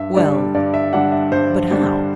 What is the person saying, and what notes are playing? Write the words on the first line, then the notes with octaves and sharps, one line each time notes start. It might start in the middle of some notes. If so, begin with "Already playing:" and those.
"Well; but how?"
Already playing: G2 E5
D3 G3 D4 D5
G2 D5
E5
D3 G3 D4 F#5
E5
G2 C5
D3 G3 D4